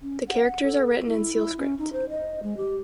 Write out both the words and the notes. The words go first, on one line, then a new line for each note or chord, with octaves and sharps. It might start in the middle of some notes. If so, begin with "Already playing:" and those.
The characters are written in seal script.
C#4
F#5
A4
E4
E4
C#4
D#4
C5
D#5
G#3
G4